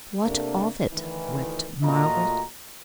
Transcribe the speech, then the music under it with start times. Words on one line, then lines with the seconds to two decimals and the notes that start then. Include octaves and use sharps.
"What of it!" wept Margaret.
0.24 C3 A3 A#3 D4
0.92 D2 D#3 E3
1.83 A#2 A3 F4 F#4 D#5 A#5